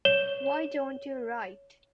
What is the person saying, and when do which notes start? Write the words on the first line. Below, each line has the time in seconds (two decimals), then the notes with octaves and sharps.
Why don't you write?
0.05 C#5 E7 G7